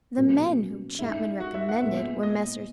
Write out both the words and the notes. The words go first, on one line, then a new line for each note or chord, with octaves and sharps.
The men whom Chapman recommended were Messrs.
B2 F#3 A#3 C#4
G#3 D#4 E4 G#4
F#4
E5
F#5
A#2 G#3 B3 E5
D#5